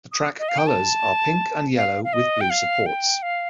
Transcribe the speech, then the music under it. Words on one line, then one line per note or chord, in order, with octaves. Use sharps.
The track colors are pink and yellow, with blue supports.
D#6
D#5
F5
G5
A5
F5
F5
D#5
G5
F5
G5
F5